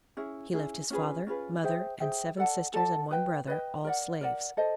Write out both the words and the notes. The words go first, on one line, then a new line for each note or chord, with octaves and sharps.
He left his father, mother and seven sisters and one brother, all slaves.
C#4 E4 G#4
C#4 E4 G#4
C#4 F4 G#4 B4
C#4 F4 G#4 B4
G#4 C5 E5 G5
G#4 C5 E5 G5
A4 D5 F#5 A5
A4 D5 F#5 A5
B4 D#5 G5
B4 D#5 G5
A#4 D5 F#5
A#4 D5 F#5
A4 C5 D#5